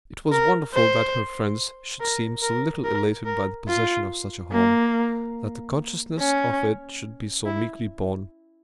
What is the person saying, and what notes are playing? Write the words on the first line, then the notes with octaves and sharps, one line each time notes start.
It was wonderful that her friends should seem so little elated by the possession of such a home, that the consciousness of it should be so meekly borne.
A#4
C5
A#4
A#4
A#4
A#4
F4
A#3
C#4
E4